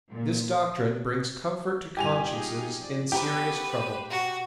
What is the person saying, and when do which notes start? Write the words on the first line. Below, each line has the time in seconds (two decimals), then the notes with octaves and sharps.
This doctrine brings comfort to consciences in serious trouble.
0.10 A#2
1.97 G2 E4 G4 G#5 F7
2.30 D#4 F4 G#4
2.78 F3 D5
3.12 B3 C#4 G4 A4 B4
3.71 C5
4.10 B2 F#4